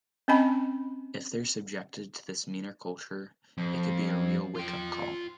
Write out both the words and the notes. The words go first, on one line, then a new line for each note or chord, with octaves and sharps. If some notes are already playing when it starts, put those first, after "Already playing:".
If they're subjected to this meaner culture, it could be a real wake-up call.
C4 C#4 D#5 G#5 B5
F2
F4 G5